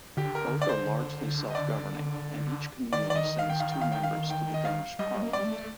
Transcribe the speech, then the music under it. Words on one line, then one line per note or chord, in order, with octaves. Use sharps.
Both are largely self-governing, and each community sends two members to the Danish Parliament.
D3 G4
A#4
D5
C5
D#5
D5
D#3 D5
D5
D#5
F5
G5
F5
G5
F5
G5
F5
G5
D#5
F5
G3 D#5
A#3
G3 D5
A3